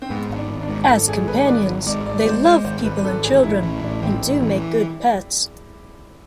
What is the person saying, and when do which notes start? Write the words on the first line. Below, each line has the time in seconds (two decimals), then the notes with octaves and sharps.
As companions, they love people and children and do make good pets.
0.02 C4
0.10 G#2 B3
0.29 G#1
0.36 D4
0.49 G#1
0.63 D4
0.69 G#2
0.88 G#1 A4
1.08 G#2 G#4
1.28 G#1 B4
1.47 G#1 D5
1.66 G#1
1.86 G#2 D5
2.06 G#1 D5
2.19 D5
2.25 G#3 C5
2.45 G#3 C5
2.65 G#1 C5
2.84 G#1 B4
3.04 G#1 A4
3.24 A1 G#4
3.43 A1 E4
3.63 E3
3.82 A1 D4
4.02 A1 C4
4.22 A1
4.42 E3